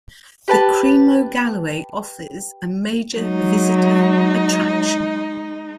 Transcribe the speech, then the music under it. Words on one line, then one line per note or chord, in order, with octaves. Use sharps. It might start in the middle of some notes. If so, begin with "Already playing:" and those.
The Cream o' Galloway offers a major visitor attraction.
G4 B4 A5
F#3 G#3 D#4